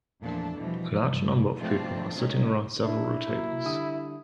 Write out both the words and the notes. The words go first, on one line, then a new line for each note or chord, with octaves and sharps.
A large number of people are sitting around several tables.
E2 A#2 F3 A3 D4 A4
B2 E3 F3 G3
G2
B2 F3 A3 C4 D4 F4
D#3 G#3 C#4 D#4
D4 E4
F#3 A#3
D3 G3 D#6